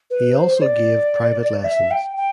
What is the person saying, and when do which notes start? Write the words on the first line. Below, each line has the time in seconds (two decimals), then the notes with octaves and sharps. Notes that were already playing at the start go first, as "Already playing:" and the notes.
He also gave private lessons.
0.10 B4
0.36 C5
0.56 C5
0.62 D5
1.64 E5
1.91 G5
2.17 G5